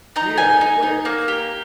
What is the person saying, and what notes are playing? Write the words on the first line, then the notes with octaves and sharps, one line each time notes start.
"Here, quick!"
D#4 A#5
D#4 G#5
D#4
D#4
A#3
G4